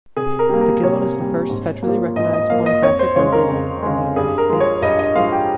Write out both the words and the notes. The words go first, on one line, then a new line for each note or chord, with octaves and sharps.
The guild is the first federally recognized pornographic labor union in the United States.
C3 G#4
A#4
G3 A#3
A#4
C3 C#5
G3 A#3
G#2
F3 A#3
G#2 D#5
D#5
F3 A#3 F5
D#5
F2 C#5
C5
C#3 G#3 C#5
A#4
F2
C#3 G#3
G2 G#4
A#4
F3 G#3
C#5
G2 D#5
D#5
F3 G#3 F5
G4